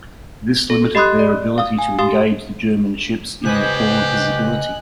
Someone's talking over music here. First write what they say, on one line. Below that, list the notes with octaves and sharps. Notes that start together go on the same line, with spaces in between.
This limited their ability to engage the German ships in the poor visibility.
A4
G4 D#5 B5 C6 D#6 F#6
D5
F5 D#6
G#5
G4 F5 C6 D#6
C#3 G4 B4 C5 D#5 G#5 F#6